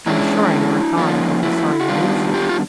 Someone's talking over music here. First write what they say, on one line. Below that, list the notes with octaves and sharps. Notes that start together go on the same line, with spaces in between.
I am sure I never thought I could be sorry to lose you!'
E3 G#3 C#4 D4 E4
F3 A#3 C#4 D#4 F4
E4 F#4
F#4
D#3 G3 B3 D4 F4 G4
F4 G4
F4